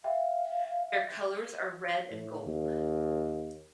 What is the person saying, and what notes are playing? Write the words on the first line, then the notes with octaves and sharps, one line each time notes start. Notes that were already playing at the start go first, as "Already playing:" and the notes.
Their colors are red and gold.
E5 F5 G5
A2
D#2